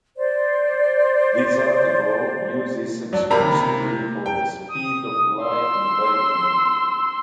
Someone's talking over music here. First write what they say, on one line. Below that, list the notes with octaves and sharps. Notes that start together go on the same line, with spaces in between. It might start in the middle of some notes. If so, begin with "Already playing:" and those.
This article uses exclusively for the speed of light in vacuum.
C5 D5
F#3 D4
C3 A#3 A#5 B5
G5
D#6
C6 E6